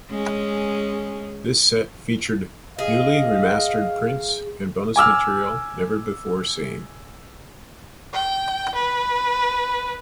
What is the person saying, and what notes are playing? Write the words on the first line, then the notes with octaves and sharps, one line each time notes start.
This set featured newly remastered prints and bonus material never before seen.
G#3 C#4
G#4 D#5 F5
G#5 D6 E6 F6
G5
B4